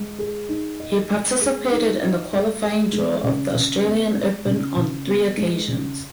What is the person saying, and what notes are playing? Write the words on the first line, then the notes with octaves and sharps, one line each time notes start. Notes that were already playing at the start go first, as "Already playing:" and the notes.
He participated in the qualifying draw of the Australian Open on three occasions.
Already playing: G#3
G#4
D#4
D#5
G#3
G#4
D#4
D#5
G#3
G#4
G#3
C#3
C#3
B3
G#3
C#3
C#3
B3
G#3
C#3